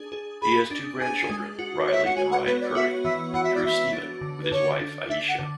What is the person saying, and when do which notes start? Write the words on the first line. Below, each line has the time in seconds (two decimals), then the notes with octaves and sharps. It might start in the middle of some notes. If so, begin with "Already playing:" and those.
He has two grandchildren, Riley and Ryan Curry, through Stephen, with his wife Ayesha.
Already playing: D4 G#4
0.12 G#4
0.42 G#4 B5
0.71 D4
1.00 D4 G#5
1.30 G#3
1.59 F#4
1.88 C#5 E5
2.05 F#5
2.16 F#4 G#5
2.31 F#5
2.46 B3 B4
2.61 D5
2.75 F#4 E5
3.04 E3 E5
3.34 E3 F#5
3.44 E5
3.54 D5
3.64 E3 E5
3.93 D4
4.21 D3
4.43 B4
4.51 D3 C#5
4.80 D4
5.09 D4 E5
5.28 F#5
5.39 D3